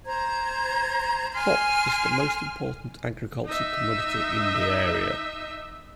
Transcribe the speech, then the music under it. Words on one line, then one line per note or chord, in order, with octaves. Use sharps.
Hop is the most important agricultural commodity in the area.
C5 A#5 G#6
G#5 C6 F6
D#4 E5